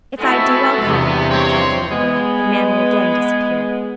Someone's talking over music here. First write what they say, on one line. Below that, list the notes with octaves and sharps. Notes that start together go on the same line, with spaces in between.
"If I do I'll call," replied the little girl, and Mammy again disappeared.
G#3 B3 C4 E4 F#4 A4
E2 G2 C3
C4 C#5 C6
G#3 B3